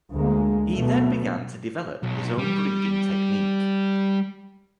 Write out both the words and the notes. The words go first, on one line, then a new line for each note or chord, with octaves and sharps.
He then began to develop his own breeding technique.
D2 G#3 A#3
B2 F#3 A3 B3
B1
G3